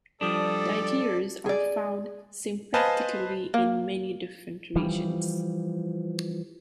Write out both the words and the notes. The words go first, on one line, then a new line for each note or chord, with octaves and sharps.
Duikers are found sympatrically in many different regions.
F3 G3 D4 A4 D5 D#6
G#4 D5
B4 C5 D#5 F5 G#5 A5
A#3
E3 F3 G3